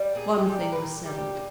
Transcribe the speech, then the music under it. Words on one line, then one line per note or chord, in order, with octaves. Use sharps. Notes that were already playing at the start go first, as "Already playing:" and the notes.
One thing was settled.
Already playing: G3
A#2 G#4
G4
G3
A#4
A#2 B4
A#4
G3 G4
A#2